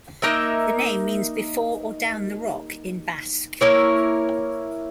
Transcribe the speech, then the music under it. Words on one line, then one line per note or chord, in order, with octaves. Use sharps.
The name means 'before or down the rock' in Basque.
A#3 D#4 A#4 E5
A#3 E4 A#4 C#5